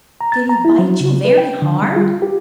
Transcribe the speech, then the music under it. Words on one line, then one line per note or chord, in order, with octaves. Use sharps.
"Did he bite you very hard?"
A#5
A6
A#5
E4
F#3
C#3
B4
G5
D3
G3
F4
G4